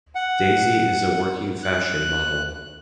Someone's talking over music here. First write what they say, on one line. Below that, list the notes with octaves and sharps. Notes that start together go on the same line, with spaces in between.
Daisy is a working fashion model.
F#5
F#6